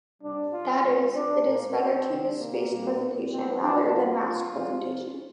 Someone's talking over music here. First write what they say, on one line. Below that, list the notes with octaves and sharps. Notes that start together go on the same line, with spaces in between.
That is, it is better to use spaced presentation rather than massed presentation.
C3 G3 D4
F4
D3 G#3
D4
A#2 G#3 A#3
C4
C3 D#3 G#3
A#3
A#2 G3
D3 G#3 C4
D4
D3 G3 F4
F4
C3 F3 G#3